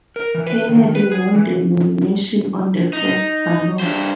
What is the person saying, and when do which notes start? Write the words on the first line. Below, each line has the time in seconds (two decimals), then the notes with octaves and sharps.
Kennedy won the nomination on the first ballot.
0.16 A#4
0.35 E3
0.47 B4
0.69 D#3
0.83 D#3
0.95 B4
1.12 G#4
1.35 E3
2.93 D#4
3.79 G2 C5